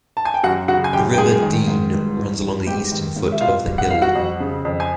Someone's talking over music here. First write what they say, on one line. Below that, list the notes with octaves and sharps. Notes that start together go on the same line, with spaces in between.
The River Dean runs along the eastern foot of the hill.
A5
G#5
G5
F#2 F#4 F#5
C#3 F#4 F#5
G#5
F#2 G4 G5
G5
G#2 G#4 G#5
D#3
G#2
G2
E3
G2
G#2 G4 G5
D#3
G#2
E5
B2 F4 F5
G3
F#5
G3 F5
F#4 F#5
F2
C#3
F2
G#5